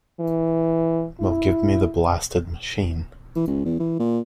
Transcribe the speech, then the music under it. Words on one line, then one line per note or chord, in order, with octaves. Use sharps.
Well, give me the blasted machine.
E3
E4
E3
C#2
E2
E3
A#2